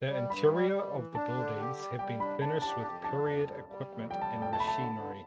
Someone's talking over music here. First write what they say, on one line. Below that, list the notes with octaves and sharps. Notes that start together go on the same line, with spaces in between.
The interior of the buildings have been furnished with period equipment and machinery.
G3
G2 B5
G3
G3
E3
D4 A5
D3
G4
G3
G3 G5
D4 B5
D4 A5
G4 A5
F2 A5
D4 A5
F2 A5
G3
G3
F2
G3 G5
A5
F2
G5
A3 A5
B5
A5
D3
D3